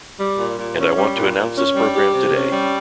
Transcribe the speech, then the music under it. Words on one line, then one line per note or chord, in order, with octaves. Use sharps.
And I want to announce this program today.
G3
A#2
A#2
C#4
G3
A#2
A#2
C#4
G3
G4
C3
C#4
G3